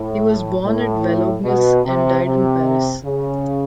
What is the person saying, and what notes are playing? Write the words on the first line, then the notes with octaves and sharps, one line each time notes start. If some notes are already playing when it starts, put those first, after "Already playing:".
He was born at Valognes, and died in Paris.
Already playing: A2
A2
B2
C3
C3
C#3